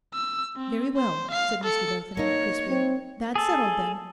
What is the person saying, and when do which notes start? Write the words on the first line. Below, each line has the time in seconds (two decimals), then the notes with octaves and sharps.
'Very well,' said Mr Bethany crisply, 'that's settled, then.
0.14 E6
0.57 C4
0.97 C5
1.31 F5 C7
1.64 A4 C#7
2.17 A#3 D#4 C#5
2.69 C4
3.36 G#4 A4